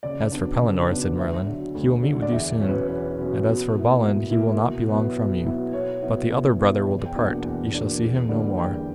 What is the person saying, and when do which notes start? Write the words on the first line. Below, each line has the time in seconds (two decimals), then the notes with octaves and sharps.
As for Pellinore, said Merlin, he will meet with you soon; and as for Balin he will not be long from you; but the other brother will depart, ye shall see him no more.
0.03 C#3 D5
0.32 F#3 B3 D4
0.61 C#3
0.89 F#3 B3 D4
1.17 D2 E5
1.46 D3 F#3
1.75 D2
2.03 D3 F#3
2.22 D5
2.31 E2 E5
2.60 B2 F#3 C#4
2.69 B4
2.88 E2 B4
3.16 B2 F#3 C#4
3.45 B2
3.73 A#3 E4
4.02 B2
4.30 A#3 E4
4.59 B2
4.88 F#3 B3 E4
5.17 B2
5.45 F#3 B3 E4
5.73 B2 C#5
6.01 F#3 B3 E4
6.30 B2
6.58 F#3 B3 E4
6.87 E2
7.06 G5
7.15 B2 A#3 D4
7.25 F#5
7.43 E2
7.73 B2 A#3 D4
8.02 E2
8.29 D3 G3 A#3
8.58 E2 G5